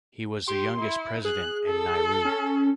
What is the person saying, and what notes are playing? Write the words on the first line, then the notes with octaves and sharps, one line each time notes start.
He was the youngest president in Nauru.
G4 C6
E4
G#4 F#6
A4
C#4